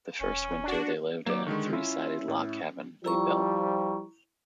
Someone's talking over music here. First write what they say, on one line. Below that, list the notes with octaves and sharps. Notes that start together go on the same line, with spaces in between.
The first winter, they lived in a three-sided log cabin they built.
E1 C#4
D4 F#4
F#3 A#3 D5
D3 D#3 G#3 C#6
C#4 E4 F4
A2
F3 G3 E4 A#5 C#6